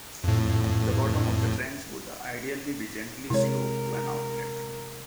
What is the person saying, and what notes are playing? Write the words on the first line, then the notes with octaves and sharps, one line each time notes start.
The bottom of the trench would ideally be gently sloped to an outlet.
F2 A2
C3 G#3 E4 A#4 C#5